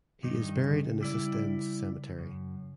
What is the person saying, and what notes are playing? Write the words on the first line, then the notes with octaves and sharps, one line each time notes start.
He is buried in Assistens Cemetery.
G2 D#3 D#4
C#3
G3 E4 D5
F#2